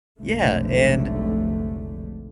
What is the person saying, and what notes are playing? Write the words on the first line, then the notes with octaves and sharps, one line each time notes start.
Yeah, and
F1 B1 G#2 D3 A3